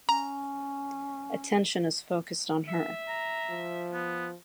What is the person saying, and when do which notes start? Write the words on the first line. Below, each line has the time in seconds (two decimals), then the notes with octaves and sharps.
Attention is focused on her.
0.09 C#4 A#5
2.68 E5
3.09 A#5
3.50 F3
3.93 B3